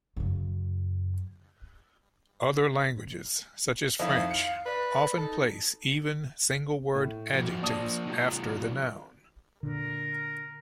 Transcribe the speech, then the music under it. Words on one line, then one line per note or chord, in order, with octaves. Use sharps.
Other languages, such as French, often place even single-word adjectives after the noun.
F#2 C#3
F2 D#3 E4 F5
C#7
B4 D5
D#4 A4
A2
F2 F#4
F3 A#3 D5 A5 D#6
D#3 F#3
A#2 D3 A#4